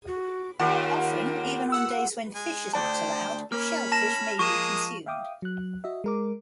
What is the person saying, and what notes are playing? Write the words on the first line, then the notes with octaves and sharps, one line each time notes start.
Often, even on days when fish is not allowed, shellfish may be consumed.
F#4
D#2 F4 G4 A#4 B4 F#5
F#5 E6
G#3 G#5
D2 C5 D5 G5 A5
A#3 C#4 B5 F6
A5 A#6 E7
F3 G#3 A#3 C#6 D#6 D#7 E7
E5 F5 G5 D6 D#6
F#3 F#6
F#4 D#5 E5
G#3 A#4 D6